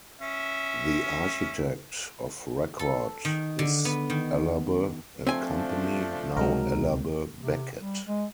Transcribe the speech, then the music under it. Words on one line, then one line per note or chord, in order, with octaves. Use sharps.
The architect of record is Ellerbe and Company, now Ellerbe Becket.
C#4 E5
A4
D#3
D3
B3
D#3
F3 A3 C4 D4 G#5
C#2 C3 F#3 G#3 D#4 A#4
C3
G3
G#3